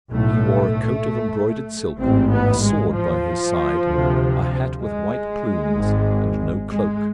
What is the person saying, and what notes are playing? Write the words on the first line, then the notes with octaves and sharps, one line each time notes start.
He wore a coat of embroidered silk, a sword by his side, a hat with white plumes, and no cloak.
B1 A2 A3
A1 G#2 C4
B3
G#3
F3
D2 C3
G#3
G#1 G#2
G#3